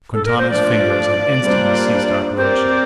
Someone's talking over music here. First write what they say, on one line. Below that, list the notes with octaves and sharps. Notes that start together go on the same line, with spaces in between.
Quintana's fingers had instantly ceased operations.
A4
A#4
C5
F3 A3 D4 F4 D5
G3 A#3 D4 F4 C5
C4 G4 A#4 C5 D5